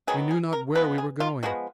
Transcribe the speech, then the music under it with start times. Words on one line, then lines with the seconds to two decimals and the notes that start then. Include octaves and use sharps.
We knew not where we were going.
0.07 D#3 F#3 B3 G#4
0.31 G#4
0.53 A#4
0.75 F3 G#3 B3 B4
0.98 G#4
1.20 F4
1.43 F3 G#3 B3 F#4